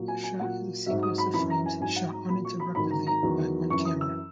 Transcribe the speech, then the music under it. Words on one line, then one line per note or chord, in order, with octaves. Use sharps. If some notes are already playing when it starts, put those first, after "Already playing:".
A shot is a sequence of frames shot uninterruptedly by one camera.
Already playing: A#2 F#3
G#5
G#5
A#2 F#3 F#5
G#2 F#3 E5
D#6
B5
F#2 E3 B5
A#5
G#5
G#2 F#3 G#5
F#5
A#5
A#2 F#3 B5
C#6
B5
G#2 D#3 F#3 B5
A#5
A#5
E2 D#3 F#3
F#2 E3 C#6
D#6
E6